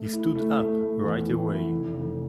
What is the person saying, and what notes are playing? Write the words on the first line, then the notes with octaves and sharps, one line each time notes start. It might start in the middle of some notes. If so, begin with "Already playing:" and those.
He stood up right away.
Already playing: A3
E4
A3
A3
A3
E2
E3
E4
F1
F1